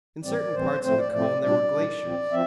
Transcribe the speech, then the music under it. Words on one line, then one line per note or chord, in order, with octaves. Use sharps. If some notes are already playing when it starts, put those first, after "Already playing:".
In certain parts of the cone there were glaciers.
A2 E3 G3 C4 D5
A2 E3 G3 C4 C5
A2 F3 A3 C4 C5
D5
A2 F3 A3 C4 D5
A#2 G3 D4 D5
A#2 G3 D4
A#2 F3 C4
F3 C4 E5